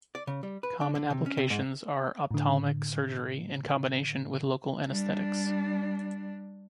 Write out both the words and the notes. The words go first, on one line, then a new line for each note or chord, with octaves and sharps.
Common applications are ophthalmic surgery, in combination with local anesthetics.
D5
C#3
G3
B4
D4
D3
C3
C#4
C3
G#2
A2 D3
G3 D4